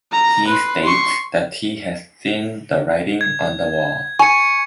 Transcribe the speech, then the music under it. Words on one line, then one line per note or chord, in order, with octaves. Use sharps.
He states that he has seen "the writing on the wall".
A#5
B4 C6
C6 C#6
G#6
G#5 C#6 C#7